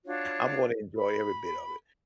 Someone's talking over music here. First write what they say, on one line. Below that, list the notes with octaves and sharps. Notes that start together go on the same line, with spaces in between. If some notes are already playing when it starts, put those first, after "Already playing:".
I'm gonna enjoy every bit of it
D4 F4 F#4 C#5
B5